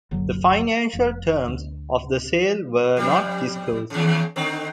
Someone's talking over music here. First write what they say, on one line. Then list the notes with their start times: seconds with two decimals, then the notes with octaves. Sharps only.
The financial terms of the sale were not disclosed.
0.11 F#1 B1 D3 F#3
0.93 F1
1.48 D2
2.97 F2 G3
3.90 D#2 C#3
4.36 D3 D#3 C4